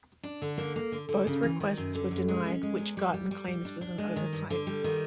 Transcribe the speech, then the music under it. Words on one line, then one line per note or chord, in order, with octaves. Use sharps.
Both requests were denied, which Garten claims was an oversight.
D4
D3
A#3
A#3
D3
D3
C#3
E3
D#3
F#2
D3
F#2
G#3
C#4
G#3
E2
G3
G3
G3
G3
D4
D4
G#3
D#3
G2
D3
G3
D#3